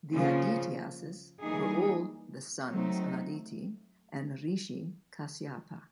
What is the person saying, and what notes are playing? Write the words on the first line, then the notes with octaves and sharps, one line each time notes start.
The Adityas's were all the sons of Aditi and Rishi Kashyapa.
C#3 F3 A#3 C#4
E3 G3 A#3 D#4 G#4
F#3 A3 C4 D#4